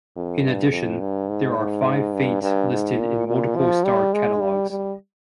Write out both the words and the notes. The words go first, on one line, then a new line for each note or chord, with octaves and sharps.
In addition, there are five faint listed in multiple star catalogues.
F2
G2
F2
G2
G#2
G#2
G2
G2
G#2
A#2
A#2
F3
G3
G#3
G3
G3